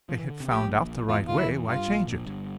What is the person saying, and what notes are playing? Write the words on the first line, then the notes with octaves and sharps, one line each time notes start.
"If they had found out the right way, why change it?"
F3
E3
D3
C3
A#1 A#2 G4
E2 E3 F4
D2 D3 F4
E4
E2 E3
G2 G3 F4
A#1 A#2
A#1 A#2
G1 G2